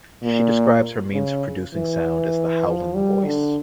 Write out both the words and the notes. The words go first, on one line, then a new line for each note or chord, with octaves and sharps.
She describes her means of producing sound as the "howling voice".
A#2
C#3
E3
F3
G3
D3